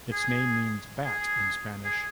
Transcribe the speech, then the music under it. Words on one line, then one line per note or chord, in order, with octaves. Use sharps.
Its name means bat in Spanish.
G#4
G#4
G#4